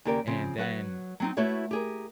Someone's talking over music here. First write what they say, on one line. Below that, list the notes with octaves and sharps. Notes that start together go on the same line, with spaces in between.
And then
D#2 C#3 G4 A#4 D5
C#3 F3 C4
F#3 B4 F#5
F#3 C4 D#4
A3 E4 F#4 B4 C#5 E5
G4 G#4 A#4